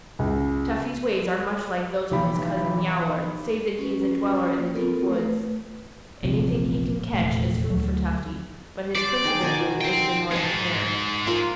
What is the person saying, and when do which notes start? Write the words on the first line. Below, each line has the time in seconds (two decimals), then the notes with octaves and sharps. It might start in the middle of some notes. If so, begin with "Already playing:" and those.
Tufty's ways are much like those of his cousin, Yowler, save that he is a dweller in the deep woods. Anything he can catch is food for Tufty, but his principal food is the Northern Hare.
0.19 C#2
2.12 B1 C#3 E3 F3 A#3 G4 B5
3.79 C#4 F#4 B4
4.58 A#3
4.74 B3 C4 F4 A4 A#4
5.08 A3 B4
6.23 D#1 A1 C3 F3
7.13 F1 E2 A#2 A3
7.70 D2 F#3 A3
8.95 C5 D5
9.24 D#4 G#4 G5
9.41 B2 D#3 G#5
9.81 G5 C6
10.31 G#3 D#4 D#5 A5
11.27 F4 A#4 B5